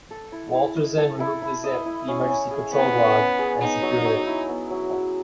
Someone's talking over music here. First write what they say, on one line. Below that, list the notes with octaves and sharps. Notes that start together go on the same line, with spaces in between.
Walter Zinn removed the zip, the emergency control rod, and secured it.
A4
E4
E4
D#5
A4
E4
E4
D#5
E4
C#4
C#4
G#4
B3 E4
C#4
C#4
G#4
B3 D#4
F#3
F#3
E4
B3
F#3
F#3